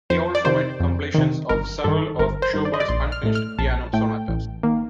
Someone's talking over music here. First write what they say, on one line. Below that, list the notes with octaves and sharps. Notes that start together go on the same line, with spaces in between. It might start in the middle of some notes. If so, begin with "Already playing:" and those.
He also made completions of several of Schubert's unfinished piano sonatas.
F2 C5
D5
C3 D#3 C5
F2
C3 D#3
G1 A#4
G2 D#3 A4
G1 A#4
C5
G2 D#3
D5
D#5
D5
A#1 C6
F6
A2 A3
F6
A#1 A5
A2 A3 G5
A1
D#3 A#3